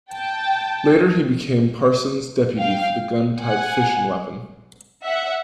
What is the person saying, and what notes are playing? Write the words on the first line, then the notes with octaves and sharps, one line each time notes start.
Later he became Parsons' deputy for the gun-type fission weapon.
G5 A5
F5 G5
F#5 G#5
E5 F#5